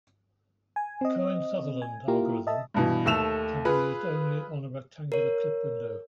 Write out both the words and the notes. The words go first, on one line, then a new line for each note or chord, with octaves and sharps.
The Cohen-Sutherland algorithm can be used only on a rectangular clip window.
G#5
C4 D#5
G#5
A#3 E4 F4 G4 A#4
D#5 E5 A5
G2 B2 E3
D#2 A3 A4 E6 E7 F7
F4 G#4 B4 B5
A#4 C#5